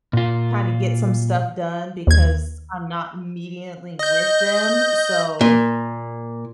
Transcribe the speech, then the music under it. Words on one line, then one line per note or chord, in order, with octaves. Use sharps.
kinda get some stuff done, because I'm not immediately with them, so
A#2 F4
D#2 G#6
D#5 G6
A#2